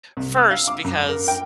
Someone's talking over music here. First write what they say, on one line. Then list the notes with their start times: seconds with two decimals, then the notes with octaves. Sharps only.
First, because
0.17 C2
0.37 E6
0.51 F5
0.68 D6
0.84 F#2
1.09 A#4
1.28 G5